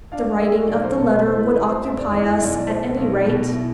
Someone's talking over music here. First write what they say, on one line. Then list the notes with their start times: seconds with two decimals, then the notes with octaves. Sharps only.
The writing of the letter would occupy us, at any rate.
0.12 D4 F5
0.40 G3 E5
0.68 B1 D5
0.83 C5
0.97 B2 A4
1.12 B4
1.25 E3 C5
1.39 B4
1.54 C3 B4
1.68 C5
1.83 F1 E5
1.97 D5
2.11 E2 D5
2.39 B1 D5
2.54 D5
2.68 A3 C5
2.97 B1
3.26 B2
3.53 E4